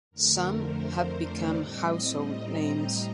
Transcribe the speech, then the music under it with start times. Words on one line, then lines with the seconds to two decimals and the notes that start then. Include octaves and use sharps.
Some have become household names.
0.11 F2 D3 A3 A#4
0.47 C5
1.19 D5
1.54 A2 G3 C4 D#5
2.26 A#5